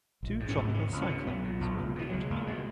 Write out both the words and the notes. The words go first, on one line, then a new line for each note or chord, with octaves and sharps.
Two tropical cyclones were reported.
A#1
G#2
C#4
G#2
B3
C#2 C#4
C#2
C#4
B2
B1 B3
A#2
B1
C#2
B2 E3
C#2 F#3
G#3
C#2 A#3
B2 G#3